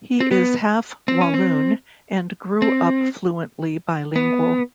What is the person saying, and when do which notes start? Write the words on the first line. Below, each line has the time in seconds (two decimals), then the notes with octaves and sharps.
He is half-Walloon, and grew up fluently bilingual.
0.20 C4
0.31 B3
1.08 C4
1.21 C#4
1.34 C4
2.62 C4
4.16 B3